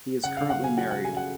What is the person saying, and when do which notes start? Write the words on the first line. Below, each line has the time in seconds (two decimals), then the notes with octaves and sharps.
He is currently married.
0.24 C#3 F#5
0.37 F5
0.42 C#3
0.50 F#5
0.60 F#3 G#5
0.77 F#3 F#5
0.91 C#3 F#5
1.04 G#5
1.13 C#3 F#5